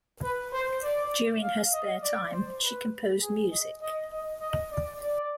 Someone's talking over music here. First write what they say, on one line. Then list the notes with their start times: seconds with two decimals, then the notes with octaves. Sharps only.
During her spare time, she composed music.
0.23 B4
0.53 C5
0.83 D5
1.43 F5
1.73 D#5
2.03 D5
2.32 C5
2.62 B4
3.22 G#4
3.52 D#5
3.82 D#5
4.12 D#5
4.41 D#5
4.72 D5
5.01 D5